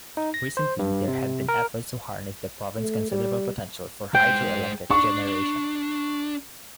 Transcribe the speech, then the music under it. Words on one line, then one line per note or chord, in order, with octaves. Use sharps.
Recently, there have been efforts to harness the province's considerable potential for hydroelectric generation.
D#4
A#6
C5
G2
C3
A#4
A3
G3
G#3 C5 G5
D4 C#6